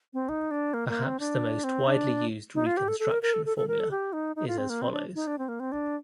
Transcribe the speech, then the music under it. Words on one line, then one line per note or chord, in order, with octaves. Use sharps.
Perhaps the most widely used reconstruction formula is as follows.
C4
D#4
D4
A#3
A#3
C4
D4
C4
D4
D#4
F4
G4
A4
A4
A#4
A#4
A4
A4
A4
A#4
A4
G4
D#4
D#4
F4
C4
A#3
C4
D4
D#4
D4
C4
A#3
C4
D4